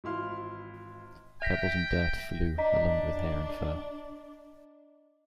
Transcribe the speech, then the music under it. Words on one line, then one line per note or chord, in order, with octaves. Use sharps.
Pebbles and dirt flew along with hair and fur.
G#1 E3 E4 F4 C6 F6
E5 G5 A#6 B6
D4 D#5 A#5 B6